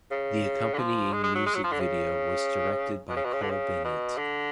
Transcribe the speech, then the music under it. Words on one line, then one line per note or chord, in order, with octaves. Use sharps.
The accompanying music video was directed by Cole Bennett.
C#3
D3
F3
G#3
G#3
F#3
G#3
F#3
F3
D3
C#3
B2
C#3
B2
C#3
D3
C#3
B2
D3